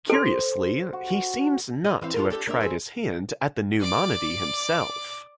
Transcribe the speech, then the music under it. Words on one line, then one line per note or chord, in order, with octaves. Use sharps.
Curiously, he seems not to have tried his hand at the new monody himself.
A4 C5 C6
F#4
D#5
E3 C4 F5
D4 F4 A#4
D4 G4 A4
A#3 D4 E5
E4 G#4 C5
D5 D6